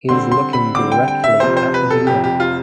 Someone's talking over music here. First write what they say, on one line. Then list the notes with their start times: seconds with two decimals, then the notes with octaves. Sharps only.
He is looking directly at the viewer.
0.09 D3 G3 C4 C6
0.32 C6
0.53 B5
0.75 D3 G3 C4 D6
0.92 G5
1.08 G5
1.24 E5
1.40 F1 F2 C3 F3 C5
1.57 C5
1.74 B4
1.91 A4
2.07 F1 F2 C3 F3 G4
2.24 G4
2.40 F4